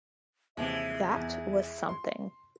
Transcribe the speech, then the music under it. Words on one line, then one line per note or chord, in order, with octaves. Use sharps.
That was something.
D#2 C3 E3 G#3 E5
E2
C6